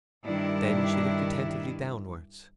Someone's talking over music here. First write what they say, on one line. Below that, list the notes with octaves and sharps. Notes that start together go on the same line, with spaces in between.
Then she looked attentively downwards.
G2 D#3 D4 E4